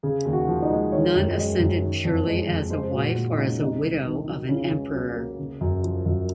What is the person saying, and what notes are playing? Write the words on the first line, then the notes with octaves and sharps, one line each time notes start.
None ascended purely as a wife or as a widow of an emperor.
C#3 G#4
D#2
F#4
F3
D#4
G#3
D#3 C#5
F#2
G#3
F#2
D#3
F2
G#3
F2
G#3 C5
A#2 F#4
A#2 F4
D#4
G#3 C#4
C3 D#4
C2
D#3
F#3
C#3 C#4
C#2
F#3
A#3
C#3
F#2
F3
F#2